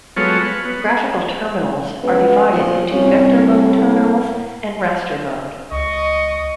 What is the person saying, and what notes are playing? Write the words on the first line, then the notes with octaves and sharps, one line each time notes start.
Graphical terminals are divided into vector-mode terminals, and raster mode.
F#3 G#3 B3 F4 A4 C#5
B4
B3
C#2 B3
A#2 F3
C2 C#4
A2
C#2 D#5 C#6